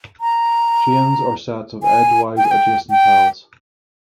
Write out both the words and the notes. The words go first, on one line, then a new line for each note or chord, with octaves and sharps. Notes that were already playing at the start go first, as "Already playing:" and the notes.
Chains are sets of edge-wise adjacent tiles.
A#5
G#5
G5
G#5
G5
G5